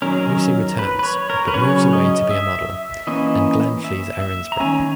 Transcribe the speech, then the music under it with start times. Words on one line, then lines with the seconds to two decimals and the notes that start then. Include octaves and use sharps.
Lucy returns, but moves away to be a model and Glen flees Erinsborough.
0.02 D#3 F#3 C#4 A#4
0.12 G#4
0.20 A#4
0.79 B4
0.99 B4
1.03 C#5
1.30 A#4
1.48 B4
1.54 C#3 F#3 C#4 C#5
1.93 D#5
2.31 E5
3.07 E3 A#3 C#4 D#5
3.84 E5
4.22 E5
4.52 A#5
4.60 D#3 A#3 C#4 G#5